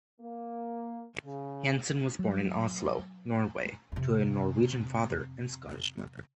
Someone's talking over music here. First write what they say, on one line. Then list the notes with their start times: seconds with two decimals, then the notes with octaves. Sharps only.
Hansen was born in Oslo, Norway to a Norwegian father and Scottish mother.
0.21 A#3
1.24 C#3
2.19 F#3
3.92 F2 C3